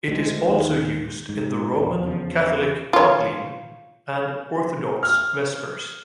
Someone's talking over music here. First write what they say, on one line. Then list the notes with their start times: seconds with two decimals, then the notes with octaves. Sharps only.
It is also used in the Roman Catholic Compline and Orthodox Vespers.
0.08 D2 G#3
0.48 D#2 D#3
1.29 G#2
1.76 E2 D4
2.03 E2 C#3 F3
2.93 F4 C#5
5.03 F6